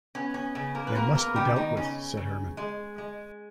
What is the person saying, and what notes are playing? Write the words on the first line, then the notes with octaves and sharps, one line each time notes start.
"They must be dealt with," said Hermann.
B3 C#4
C#4
C#3 C#4
A#3 A#4
B4
A#3 B3 A#4
A#3 A#4
C#3 G3 G4
D#3 D#4
C#3 C#4
C#3
G#3
G#3